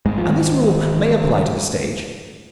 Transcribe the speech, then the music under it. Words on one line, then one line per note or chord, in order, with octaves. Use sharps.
And this rule may apply to the stage.
G#1 G#2 G#3
F3
D#3 G#3